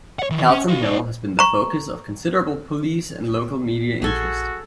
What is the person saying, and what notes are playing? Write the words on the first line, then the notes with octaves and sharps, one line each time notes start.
Calton Hill has been the focus of considerable police and local media interest.
C#5 F#5
D#3 E3
C#4
F#4 F5
D#4 D5
A#5 C#6
A#1 F#4 G#4 A4 G#5